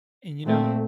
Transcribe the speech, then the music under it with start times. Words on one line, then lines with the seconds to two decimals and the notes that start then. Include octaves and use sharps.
and, you know
0.44 A#2 A3 C4